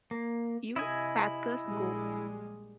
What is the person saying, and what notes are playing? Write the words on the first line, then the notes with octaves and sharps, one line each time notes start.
You Packers Go!
A#3
C3 E4 D#5 G#5
A#1 G3 G#3